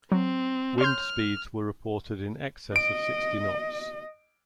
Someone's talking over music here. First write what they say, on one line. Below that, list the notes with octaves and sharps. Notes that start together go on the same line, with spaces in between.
Winds speeds were reported in excess of sixty knots.
F#3 C4
C#5 C6 F6 G6
D#5 D7